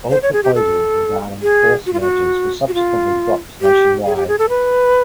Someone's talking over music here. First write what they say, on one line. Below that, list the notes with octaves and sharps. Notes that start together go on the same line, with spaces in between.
All proposals regarding force mergers were subsequently dropped nationwide.
C5
C#5
G#4
G4
A4
G#4
F#4
F4
F#4
F#4
F4
G4
G#4
G4
G#4
A4
B4